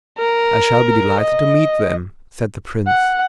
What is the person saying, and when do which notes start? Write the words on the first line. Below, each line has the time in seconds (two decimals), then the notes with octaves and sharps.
"I shall be delighted to meet them," said the prince.
0.18 A#4
1.21 D#5
2.87 F#5